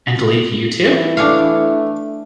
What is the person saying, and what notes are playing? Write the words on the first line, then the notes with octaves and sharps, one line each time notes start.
And leave you two?
E3
A3 D4 C#5 F5